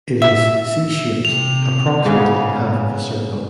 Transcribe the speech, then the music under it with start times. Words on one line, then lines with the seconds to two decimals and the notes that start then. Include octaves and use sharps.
It is "C"-shaped, approximately half of a circle.
0.22 E5
1.25 C3 F7
2.05 G#2 C#3 B3 G#4